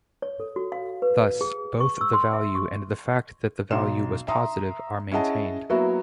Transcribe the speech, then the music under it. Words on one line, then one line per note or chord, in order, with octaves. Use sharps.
Thus, both the value and the fact that the value was positive are maintained.
C#5
A4
F#4
F5
B4
G#4
C#6
E6
C6
E5
C#6
B1 D#4 C6 E7
E5 A#5 C6 D#6
C#4 E4 G#4 D#5 F#5 A5
F#3 A#3 B3 E4 F#4 E5